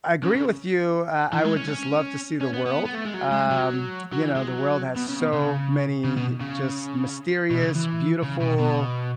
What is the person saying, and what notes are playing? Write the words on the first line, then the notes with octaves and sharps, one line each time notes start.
I agree with you, uh, I would just love to see the world, um, you know, the world has so many just mysterious, beautiful,
C#3
C#3
E3
G#3
C#4
C#4
C#4
B3
B3
B3
A3
G#3
F#3
G#3
F#3
F#3
E3
G#3
F#3
B2
C#3
B2
C#3
C#3
B2
C#3
B2
C#3
E3
C#3
B2
B2